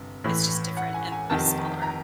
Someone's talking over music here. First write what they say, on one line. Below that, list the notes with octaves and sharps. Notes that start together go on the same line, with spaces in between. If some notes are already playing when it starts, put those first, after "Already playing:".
it's just different and a smaller
Already playing: G1 C3
A1 A2 E3
F#5
G#5
G#5
F1 F2 C3 D#3 A5
A#5